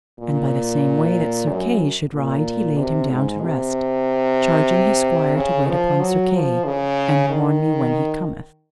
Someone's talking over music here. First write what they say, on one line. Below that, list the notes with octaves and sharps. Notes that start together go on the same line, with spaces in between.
And by the same way that Sir Kay should ride he laid him down to rest, charging his squire to wait upon Sir Kay; And warn me when he cometh.
A#2
F#2
A#2
C3
G#2
C3
C#3
F3
F#3
F3
C#3
D#3